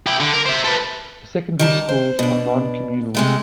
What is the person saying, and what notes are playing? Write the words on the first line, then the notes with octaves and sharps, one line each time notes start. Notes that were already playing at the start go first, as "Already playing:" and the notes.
The secondary schools are non-communal.
E4 G4
D3
A#4
C5 E5
A4 B4
D#3 G3 A5
C5
B2 D4
C3 G#3 A3